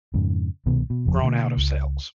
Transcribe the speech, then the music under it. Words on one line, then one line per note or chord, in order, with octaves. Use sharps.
grown out of sales.
F2 G#2 C#3
C2 B2 D#3 B3
B2
F#1 E2 C#3 F3
B2 D3 G#3 A#3
C#2